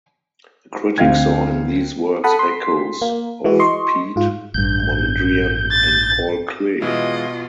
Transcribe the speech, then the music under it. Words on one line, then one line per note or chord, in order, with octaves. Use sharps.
A critic saw in these works echoes of Piet Mondrian and Paul Klee.
D2 D3 C4 F5 G5 G#6
A4 F#5 A5 B5 D#6
C6 B6
A#3
E3 G#3 F#4
D#5 C6 C#6
G#2 F4
A1 G2 G6
A6
B2 E3 G#3 F4 D#5